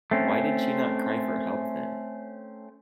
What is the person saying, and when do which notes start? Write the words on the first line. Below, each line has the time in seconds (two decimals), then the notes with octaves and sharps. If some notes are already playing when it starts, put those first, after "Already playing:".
Why did she not cry for help then?
0.11 A3 C4 C#4